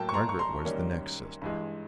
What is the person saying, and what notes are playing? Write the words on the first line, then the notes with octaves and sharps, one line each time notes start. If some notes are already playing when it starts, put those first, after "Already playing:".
Margaret was the next sister.
Already playing: A2 F#3 A#3 G5 A5
C#6
A#5 C6
C#6
A#5 C6
F#2 D#3 G3 A#3 C#4
G2 E3 G#3